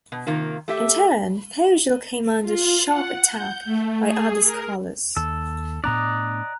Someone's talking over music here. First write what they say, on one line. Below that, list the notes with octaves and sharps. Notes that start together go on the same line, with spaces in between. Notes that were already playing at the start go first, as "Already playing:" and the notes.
In turn Fogel came under sharp attack by other scholars.
B2
C3 D#3 A#3 F4
A3 G4 E5
F4
F#5
G6
A3
G#4
A#4
D#2 A4
A2 B3 D4 D5 D#5 A#5 F#6